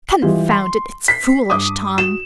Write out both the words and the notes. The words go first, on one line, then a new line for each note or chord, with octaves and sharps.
"Confound it, it's foolish, Tom."
E3 G3 G#3 F4 G4 G#4
C6
B6 C7
G2 D6 D#6
F#4 E7